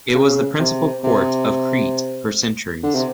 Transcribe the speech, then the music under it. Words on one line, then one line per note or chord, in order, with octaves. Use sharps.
It was the principal port of Crete for centuries.
C#3
C3
C3
D3
C3